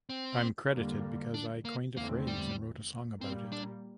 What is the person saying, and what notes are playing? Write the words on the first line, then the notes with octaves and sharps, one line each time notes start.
I'm credited because I coined a phrase and wrote a song about it.
C4
F2 D3 G3 A#3
D4
A#3
E2 D3 A3 A#3 C4
G3
A#2 G3 A#3 C4
D4